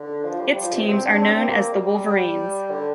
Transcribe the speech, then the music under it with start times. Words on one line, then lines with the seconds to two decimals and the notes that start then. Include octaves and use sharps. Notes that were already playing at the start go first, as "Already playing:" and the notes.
Its teams are known as the Wolverines.
Already playing: D3
0.24 F3
0.41 G3
0.56 F3
0.74 C3
0.90 C4
1.06 D4
1.22 C4
1.47 A#3
1.72 G3
2.71 D3